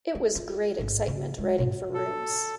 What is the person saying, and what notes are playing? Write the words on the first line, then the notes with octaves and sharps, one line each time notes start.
It was great excitement writing for rooms.
B3
F4
A1 G#2
C#3 A#3
G#3
G#2 B2
A4